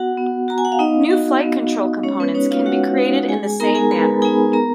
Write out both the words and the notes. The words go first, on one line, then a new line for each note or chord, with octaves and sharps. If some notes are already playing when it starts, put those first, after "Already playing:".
New flight control components can be created in the same manner.
Already playing: B3 F#4 F#5
B3
F#4 A#5
G#5
F#5
F5
B3 D#4 D#5
D#4 F#4
B3
D#4 F#4
G#3 C#4 C#5
B3 B4
C#4 D#4 F#4 C#5
F4 F5
G#3 F#4 F#5
D#4 F#4
G#3 G#4 G#5
B3 D#4 A#4 A#5
G#4 G#5
G#3 B4 B5
B3 D#4 G#4 G#5
B3 A#4 A#5